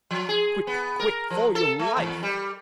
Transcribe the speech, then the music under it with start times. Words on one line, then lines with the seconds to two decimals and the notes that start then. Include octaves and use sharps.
Quick--quick! for your life.
0.11 F3
0.29 G#4
0.67 B3
1.00 A#4
1.30 F3
1.55 A4
1.79 A3
1.97 E2
2.23 G3